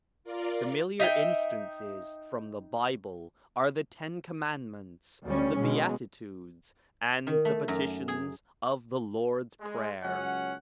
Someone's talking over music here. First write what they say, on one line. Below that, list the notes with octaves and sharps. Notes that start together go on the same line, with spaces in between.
Familiar instances from the Bible are the Ten Commandments, the Beatitudes, and the petitions of the Lord's Prayer.
F4 A#4 D5
D#4 E5 F5 G5
D2 G3 C#4
B2 G#3
D#3
A3
F#2
G#4
G#3
C#2 F#3 C#4 F#5